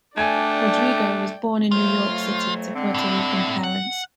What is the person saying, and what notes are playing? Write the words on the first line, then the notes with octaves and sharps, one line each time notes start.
Rodrigo was born in New York City to Puerto Rican parents.
A3 D4 D5 G5 G#5 G#6
F2 F#3 A3 F4
D3 G#3 C4
A2 E4
F#5